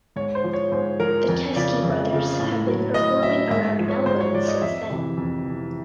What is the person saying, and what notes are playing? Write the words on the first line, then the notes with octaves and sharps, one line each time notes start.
The Teskey Brothers have been performing around Melbourne since then.
G#2 C#5
C5
F3
C#5
G#2 C5
F3 A#4
F2
C#3 F3 D5
F2
C#3 F3
A2
F#3
A2 D#5
F#3 E5
G#2 E5
F3
C#5
G#2 C5
C#5
F3 D5
D#5
F2 E5
C3 E3
F2
C3 E3